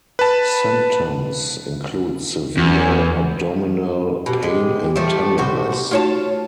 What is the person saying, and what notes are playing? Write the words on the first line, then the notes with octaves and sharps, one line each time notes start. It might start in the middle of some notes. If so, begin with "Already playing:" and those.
Symptoms include severe abdominal pain and tenderness.
B4 A5
E2
B2 G4
G#3 G4
E3 F3 G3 A3
A2 F#4 C5
A3 D#4 F4 F#4 C#5 A5